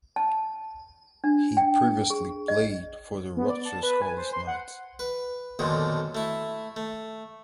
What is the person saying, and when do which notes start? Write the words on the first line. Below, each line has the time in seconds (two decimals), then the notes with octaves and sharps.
He previously played for the Rutgers Scarlet Knights.
0.16 A5
1.24 D4
1.57 G5
2.10 G#4
2.48 D#5
3.37 B3
3.50 D5
3.65 A5
3.83 B4
4.02 G#5
4.17 C5
4.32 C6
4.47 F#5
4.99 B4
5.59 B1 F2 A#2 D3 D#3 G#3
6.15 A3 E4
6.76 A3